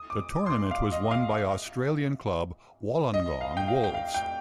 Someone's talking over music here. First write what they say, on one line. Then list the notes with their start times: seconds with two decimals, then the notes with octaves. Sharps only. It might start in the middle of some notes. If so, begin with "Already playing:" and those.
The tournament was won by Australian club Wollongong Wolves.
Already playing: D#6
0.10 D6
0.46 C6
0.50 D6
0.71 F5
0.92 D#5
1.11 F5
3.14 D#5
3.41 F5
3.57 G5
3.68 F5
3.84 G5
3.94 F5
4.14 G5